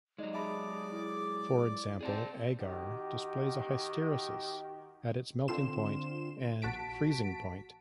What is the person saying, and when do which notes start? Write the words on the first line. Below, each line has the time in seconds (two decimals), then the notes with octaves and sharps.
For example, agar displays a hysteresis in its melting point and freezing point.
0.18 F#3 G#3 D#4 D5 D#5
0.34 G#4 D5 E5 A5 B5 D6
0.92 E4
2.01 C4 G#4 D5 A5
2.59 D#3 F#4 G4
5.48 D3 C4 F4 C6 E7
6.62 A#1 F#4 A5 B6 D7